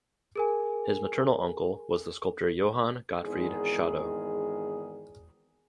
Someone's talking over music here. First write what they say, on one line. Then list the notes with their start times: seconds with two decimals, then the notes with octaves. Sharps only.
His maternal uncle was the sculptor Johann Gottfried Schadow.
0.36 G#4 A#4 G#5
3.22 G#1 E2 G#2 D#3 G#4